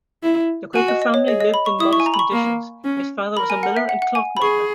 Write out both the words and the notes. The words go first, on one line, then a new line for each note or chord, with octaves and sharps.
The Quaker family lived in modest conditions; his father was a miller and clockmaker.
E4
F#4 G#5
D#5
D#5
C#5
G#4 D#5
D#5
B5
C#6
E4 D#6
C#6
G#5
A#5
B5
C#6
A#3
C#4
A#4 B5
G#5
F#5
E5
F#5
F#5
G#5
B5
G#4 C#6